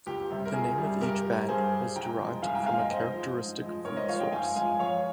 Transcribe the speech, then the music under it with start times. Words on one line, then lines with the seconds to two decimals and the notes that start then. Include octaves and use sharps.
The name of each band was derived from a characteristic food source.
0.06 C#2 G4
0.31 C3 G3
0.45 A#4
0.54 C#2 G#4
0.78 C3 G3
1.01 G2 G4 A#4
1.25 G3
1.48 G2 G#4 C5
1.72 G3
1.96 C2 G5 A#5
2.19 A#2 F3 G#3
2.42 C2 F5 G#5
2.55 G5 A#5
2.66 A#2 F3 G#3 F5 G#5
2.78 D#5 G5
2.90 G#2 C5 D#5
3.14 F3 G#3
3.38 G#2
3.61 F3 G#3
3.85 G#2 A#4 C#5
3.96 C5 D#5
4.09 F3 G#3 C#5 F5
4.20 D#5 G5
4.32 G#2 F5 G#5
4.56 F3 G#3 F5 G#5
4.79 F2 C#5 F5